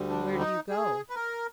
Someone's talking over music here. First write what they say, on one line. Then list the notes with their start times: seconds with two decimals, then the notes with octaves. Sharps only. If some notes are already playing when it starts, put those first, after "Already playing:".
"And where do you go?"
Already playing: D2 D3 G3
0.09 D4
0.39 D#4
0.69 G#4
1.09 B4
1.15 A#4